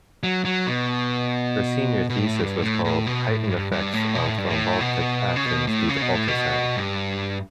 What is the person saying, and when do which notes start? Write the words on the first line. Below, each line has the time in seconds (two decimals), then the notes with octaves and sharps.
Her senior thesis was called "Heightened Effects of Thrombolytic Actions Due to Ultrasound".
0.23 F#3
0.45 F#3
0.67 B2
2.10 B2
2.19 A2
2.41 G2
2.62 A2
2.85 A2
3.07 B2
3.28 A2
3.50 G2
3.72 G2
3.93 A2
4.15 B2
4.27 A2
4.38 G2
4.50 A2
4.81 B2
5.36 C#3
5.45 B2
5.67 A2
5.89 C#3
6.02 B2
6.14 A2
6.28 B2
6.76 G2